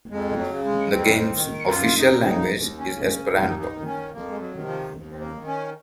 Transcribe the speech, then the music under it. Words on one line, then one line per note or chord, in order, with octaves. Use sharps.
The game's "official language" is Esperanto.
F2 G#3
F#3
C#3
G#3
F2 C4
C4
D#3
F#2 F4
D#4
C#3
D#4
D#2
C#4
C#3
C#4
D#2 D#4
F4
D#4
D#4
D#3
C#4
F2 A#3
G#3
F#3
C3 D#3
F3
D#2
A#3
D#3
C#4